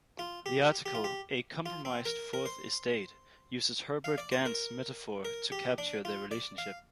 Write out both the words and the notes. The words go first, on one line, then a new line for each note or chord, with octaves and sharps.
The article 'A Compromised Fourth Estate' uses Herbert Gans' metaphor to capture their relationship.
F4
G4
G4
F4
G4
F4
C4
A#4
A#4
C5
F5
D5
C5
A#4
A#4
G4
D4
F4
D5
F5